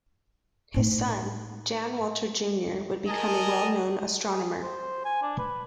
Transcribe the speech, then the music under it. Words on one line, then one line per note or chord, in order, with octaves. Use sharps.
His son Jan Woltjer Junior would become a well-known astronomer.
A2 D#4
G#4 A#4 D#5 G#5 A5
G#4
C5
G#5
D4
B4